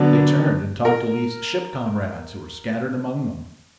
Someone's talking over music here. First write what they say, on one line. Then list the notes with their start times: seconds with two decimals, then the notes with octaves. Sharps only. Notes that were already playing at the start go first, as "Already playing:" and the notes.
They turned and talked to Leif's ship-comrades who were scattered among them.
Already playing: D3 F#3 B3 D4
0.85 A#4